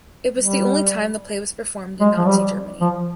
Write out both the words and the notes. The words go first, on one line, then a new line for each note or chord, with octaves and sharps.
It was the only time the play was performed in Nazi Germany.
G3
G#3
F3
G3
F3